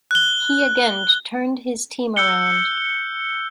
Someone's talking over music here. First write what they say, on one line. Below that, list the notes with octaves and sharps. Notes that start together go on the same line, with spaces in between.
He again turned his team around.
F#6 G7
E6 F#6 G6 C#7 G7